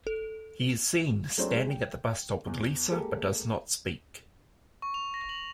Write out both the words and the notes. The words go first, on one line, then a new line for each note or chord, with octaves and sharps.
He is seen standing at the bus stop with Lisa, but does not speak.
A4
F#3 G#3 A3 C4 D4 C5
G#3
G5
E2
G#3 A#3 G4 A4
C#6
F7
A#6
F#7